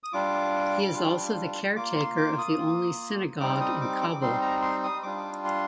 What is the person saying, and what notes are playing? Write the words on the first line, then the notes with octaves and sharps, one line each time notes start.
He is also the caretaker of the only synagogue in Kabul.
D#6
G3 D4 F4 D6
G3 D4 F4
A#3 F4 D6
C6
D6
D#6
A#3 F4
G3 C4 D#4 D6
D#6
D6
D6
G3 C4 D#4 C6
A#5
C6
D#6
G3 D4 F4 D6
C6